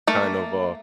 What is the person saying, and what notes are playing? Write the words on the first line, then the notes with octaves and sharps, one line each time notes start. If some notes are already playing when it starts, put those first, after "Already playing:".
kind of, uh,
A3 A#3